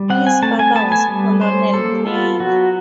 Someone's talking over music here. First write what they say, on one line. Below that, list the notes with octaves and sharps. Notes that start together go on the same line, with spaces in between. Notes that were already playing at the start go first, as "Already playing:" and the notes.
His father was Colonel Neill.
Already playing: G3
C4 F#5
G#5
A3 A5
G#5
B3 A5
G#5
G3
C#4 C5
A#3 A4
B3 F4
F#3 F#4